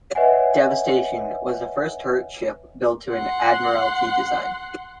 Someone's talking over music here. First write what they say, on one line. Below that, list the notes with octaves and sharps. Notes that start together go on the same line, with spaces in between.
"Devastation" was the first turret ship built to an Admiralty design.
B4 C#5 D#5 E5 F#5 G#5
F#5 C6